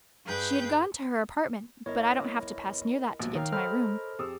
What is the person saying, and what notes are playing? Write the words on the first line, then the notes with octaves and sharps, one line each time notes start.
She had gone to her apartment, but I don't have to pass near that to get to my room.
G2 G#4 B4 G5 G6
G1 E4 A#4 C#5 D#5
A#1 D#2 B2
D#3 A#4 C#5 F5 G5 D#6 F6
A4 C5 D#5 B5 F6
F2 G4 G#4 D#6 E6